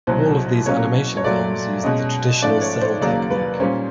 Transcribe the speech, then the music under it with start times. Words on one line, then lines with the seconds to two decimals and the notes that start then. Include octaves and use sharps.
All of these animation films used the traditional cel technique.
0.07 C2 B2 F#3 C5
0.66 B2 F#3 A#3 C#4 C#5
1.17 C#5
1.24 A#2 F#3 A3 D5
1.83 B2 G#3 C#4 D#5
2.42 G#2 F3 A3 C#4 D5
2.61 C#5
2.81 C5
3.01 D#2 C#3 F#3 A#3 D5
3.30 B4
3.60 A#2 G3 A#3 C#4 C5